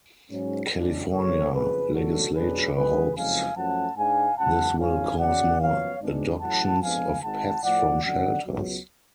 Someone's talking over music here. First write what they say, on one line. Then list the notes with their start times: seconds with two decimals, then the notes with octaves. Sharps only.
California legislature hopes this will cause more adoptions of pets from shelters.
0.30 G#2 F#3 C#4
0.71 F#2 C#3 G#3 D4
1.12 F#1 F#2 C#3 A4 C#5
1.53 F#1 F2 C#3 G#4 B4
1.93 C#2 B2 F#3 A3 D4 F#4 A4
2.33 B1 B2 F#3 A3 D4 G#4 B4
2.74 F#2 D3 G#3 G#4 B4
3.15 F#1 F2 C#3 F3 G#3 F5 G#5
3.56 F#2 F3 A3 C#4 F#5 A5
3.97 G#2 G#3 D4 F5 G#5
4.37 C#2 C#3 F#3 F#5 A5
4.78 G#1 G#2 F3 G#3 C#4 F5 G#5
5.18 F#2 C#3 F#3 C#4 D5 F#5
5.60 F#2 F3 B3 C#5 F5
6.01 G#1 G#2 G#3 B3 D4
6.41 A1 A2 F#3 F#5 A5
6.81 F2 F3 G#3 B3 D4 F5 G#5
7.22 G#1 G#2 G#3 F#5 A5
7.63 A2 F3 A3 D5 F#5
8.03 F2 D3 F#3 C#4 D5 F#5
8.45 C#2 B2 F#3